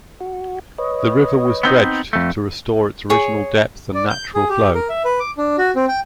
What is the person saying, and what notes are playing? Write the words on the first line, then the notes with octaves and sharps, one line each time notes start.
The river was dredged to restore its original depth and natural flow.
F#4
B4 C#5 D#5
B3 C4 D#4
F2 A3
G#4 C#5
D5
G6
G#4
G4
A#4
E5
B4
D6
D4
F#4
C4
G5